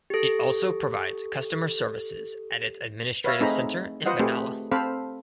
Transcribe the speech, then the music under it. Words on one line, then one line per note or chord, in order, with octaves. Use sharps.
It also provides customer services at its administrative centre in Benalla.
G4 A4
B4 C#5 E5 F5
A3 C4 D#4 G#4 A#5 B5
F4 B4 C5 D#5 F#5
A3 C4 G4 G#4 B4
C4 A4 C5 F5 B5